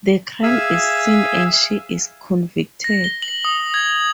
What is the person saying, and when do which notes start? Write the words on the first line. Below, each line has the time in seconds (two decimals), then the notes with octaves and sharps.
The crime is seen and she is convicted.
0.43 G#4 E5 F5 G#5 E6
2.84 A#6
3.04 G7
3.22 F#7
3.45 D#6
3.74 G#6